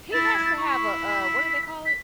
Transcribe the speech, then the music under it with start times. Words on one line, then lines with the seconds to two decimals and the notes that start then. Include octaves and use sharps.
He has to have a a what do they call it?
0.12 E4 A6
0.24 A6
0.34 G#6
0.45 A6
0.56 E4 C#6
1.02 B6
1.86 B6